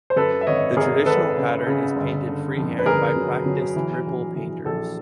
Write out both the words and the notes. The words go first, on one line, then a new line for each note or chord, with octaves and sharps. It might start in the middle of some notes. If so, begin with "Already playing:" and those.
The traditional pattern is painted free-hand by practised "ripple" painters.
C5
F#2 A4 B4
E5
G#1 C#5 D#5
G#1 G#4 A#4
G#1 A4 B4
C#3
C#3
G1
D3
F2
B4
G1 G#4 A#4
F#3
F#3
E3
A#1
E3
A#1 A4